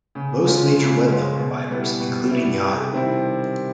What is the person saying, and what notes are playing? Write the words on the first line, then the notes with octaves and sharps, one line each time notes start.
Most major webmail providers, including Yahoo!
C#3
F3 G#3 C#4 F4
C#3
F3 G#3 C#4 F4
B2
G3 B3 E4
B2
G3 B3 E4
C3
D#3 G3 C4 E4